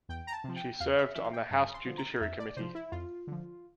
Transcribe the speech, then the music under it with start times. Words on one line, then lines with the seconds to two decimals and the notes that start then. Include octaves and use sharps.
She served on the House Judiciary Committee.
0.09 E2 G5
0.27 A#5
0.32 A5
0.44 C3 F3
0.56 G5
0.80 E2 F5
0.98 E5
1.15 E3 E5
1.24 F5
1.33 G5
1.50 G2 A5
1.74 C6
1.86 D3 F3
1.98 A#5
2.21 F2 E5
2.39 D5
2.57 C3 F3 C5
2.75 E4
2.92 F2 F4
3.27 D3 F3